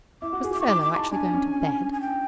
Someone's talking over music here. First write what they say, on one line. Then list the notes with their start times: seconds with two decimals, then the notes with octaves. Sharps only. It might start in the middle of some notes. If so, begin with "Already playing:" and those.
Was the fellow actually going to bed?
0.22 E4 D6
0.33 F#4
0.44 G#4
0.52 E4 D6
0.61 C#6
0.67 D#4 D6
0.81 D6
0.96 A5
1.11 D4 G#5
1.26 D4
1.33 C#4
1.93 G#5
2.01 G5